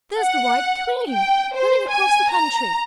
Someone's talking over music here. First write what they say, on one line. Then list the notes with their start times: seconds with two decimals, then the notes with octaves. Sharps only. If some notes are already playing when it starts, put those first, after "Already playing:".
'There's the White Queen running across the country!
0.19 F#5
1.11 G5
1.55 C5
1.89 G#5
2.31 A#5